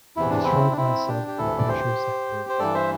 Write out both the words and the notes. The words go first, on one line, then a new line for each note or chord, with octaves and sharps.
I destroyed myself with the pressures I'd built up.
E2 C3 E3 E4
D4
C4 E4
D4
C4 E4
D4 G4
G4
D2 C3 E3 E4 A4
D5
G4 C5
C5
G2 E3 A4 D5
C5 E5